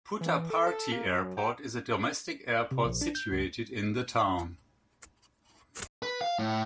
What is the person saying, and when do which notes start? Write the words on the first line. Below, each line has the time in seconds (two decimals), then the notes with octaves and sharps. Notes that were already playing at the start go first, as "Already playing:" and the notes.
Puttaparthi Airport is a domestic airport situated in the town.
0.21 E3
0.50 A4
0.67 A4
0.92 A#3
1.06 F#2
1.37 G4
2.71 C3
2.85 A#1
3.01 D4
3.15 G6
3.32 C#2
6.03 B4
6.21 F5
6.39 A2